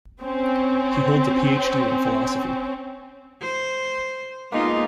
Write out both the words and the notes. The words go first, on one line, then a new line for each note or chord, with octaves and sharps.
He holds a PhD in philosophy.
C4 C#4
C5
G#3 A#3 B3 D#4 F4